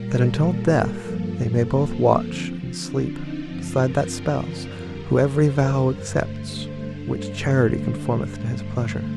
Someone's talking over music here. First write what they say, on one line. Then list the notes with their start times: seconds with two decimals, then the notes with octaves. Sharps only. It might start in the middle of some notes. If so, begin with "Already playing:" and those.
That until death they may both watch and sleep Beside that Spouse who every vow accepts Which charity conformeth to his pleasure.
Already playing: A#2 G3 A#3 A#4
0.09 A4
1.01 G2 F3 A#3
1.63 C4
2.24 D3 F3 C4
2.86 D4
3.17 D#4
3.48 G2 D3 F3 C4 F4
3.79 A#4
4.72 F2 D3 G3
5.33 C5
5.64 C5
5.95 G2 D3 A3